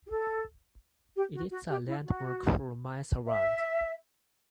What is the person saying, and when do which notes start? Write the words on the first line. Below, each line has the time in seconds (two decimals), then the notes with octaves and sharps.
It is a landmark for miles around.
0.06 G4
0.10 A4
1.16 G4
1.35 F#4
1.51 F#4
1.70 G4
1.87 E4
2.05 F#4
3.29 E5